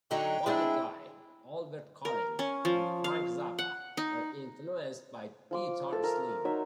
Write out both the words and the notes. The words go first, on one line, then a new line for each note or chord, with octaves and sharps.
Buddy Guy, Albert Collins and Frank Zappa were influenced by Guitar Slim.
D3 F#3 D#4 G5
G#3 C4 D4 E4
A#4
C#4
F3
F5
F#5
D#4
F3 C6 D6
A4
A#4 E5 F5
F#3 D#4 E5